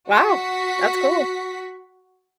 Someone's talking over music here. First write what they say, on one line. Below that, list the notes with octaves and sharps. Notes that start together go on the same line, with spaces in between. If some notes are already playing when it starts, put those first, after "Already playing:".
Wow, that's cool.
F#4 B6